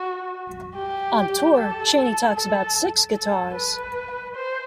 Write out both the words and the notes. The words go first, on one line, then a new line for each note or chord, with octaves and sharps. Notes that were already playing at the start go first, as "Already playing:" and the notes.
On tour, Cheney takes about six guitars.
Already playing: F#4
G4
A4
A4
A4
B4
C5